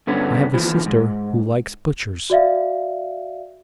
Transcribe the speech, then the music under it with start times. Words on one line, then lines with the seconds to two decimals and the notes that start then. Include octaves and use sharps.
I have a sister who likes butchers.
0.07 G2 D3 B3 C#4
0.54 D#2 E3 F3
0.86 G#2
2.30 F#4 D5 E5 F5